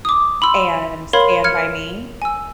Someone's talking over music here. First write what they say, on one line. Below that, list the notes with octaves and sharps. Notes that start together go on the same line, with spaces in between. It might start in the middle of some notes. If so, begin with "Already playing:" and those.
and Stand By Me.
D6 D#6
B5 C6 E6
A#4 C#5 F5 B5 C6 G#6
F6 G#6 C#7
G#5 E6